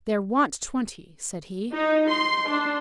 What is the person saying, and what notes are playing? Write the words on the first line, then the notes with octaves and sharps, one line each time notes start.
"There want twenty," said he.
D#4
C6
D4